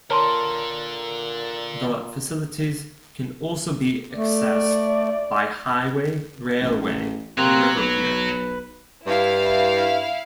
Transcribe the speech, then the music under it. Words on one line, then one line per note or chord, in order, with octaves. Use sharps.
The facilities can also be accessed by highway, railway and river pier.
A#2 D3 A4 A#4 C#5 A5 C6
A3 D5
A1
C3 F#3 A#3 C4 F#6
B1 B4
G2 E4 F5